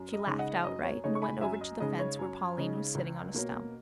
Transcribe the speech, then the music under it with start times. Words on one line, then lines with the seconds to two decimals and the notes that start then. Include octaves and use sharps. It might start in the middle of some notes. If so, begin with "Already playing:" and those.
She laughed outright and went over to the fence where Pauline was sitting on a stump.
Already playing: F#2
0.14 D#5
0.27 C#3 G#3 D#4
0.39 D#5 F#5
0.64 F#2 D#5
0.84 C#5
1.04 C#3 G#3 D#4 C#5
1.15 C#6
1.22 G#5 B5
1.41 F#2 E5 G#5
1.61 D#5
1.80 C#3 G#3 D#4 D#5
1.99 C#5
2.19 F#2
2.58 C#3 G#3 D#4
2.95 C#2
3.34 B2 A#3 C#4